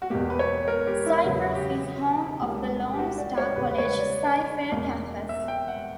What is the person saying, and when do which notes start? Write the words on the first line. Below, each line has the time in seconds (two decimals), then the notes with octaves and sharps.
Cypress is home of the Lone Star College-CyFair campus.
0.02 F#4
0.10 E2 B2 A#3 G4
0.30 B4
0.39 C#5
0.68 A#4
0.87 G4
1.06 E4
1.25 E2 C#3 F#3 B3 F#4
1.55 G4
2.41 C#2 C#3 G3 A#3
2.93 G4
2.99 F#4
3.18 D5
3.38 C#5
3.56 E2 C#3 G3 B3 B4
3.71 B4
3.78 C#5
3.85 B4
3.99 D5
4.72 E2 B2 A#3
5.29 E5
5.48 G5
5.68 F#5